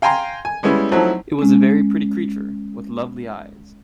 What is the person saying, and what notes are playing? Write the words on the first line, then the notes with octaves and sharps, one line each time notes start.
It was a very pretty creature, with lovely eyes.
F5 G5 G#5 A#5 C6
G#5
G3 G#3 B3 C#4 E4
F3 F#3 A3 C4 D#4 E4
G#3 C#4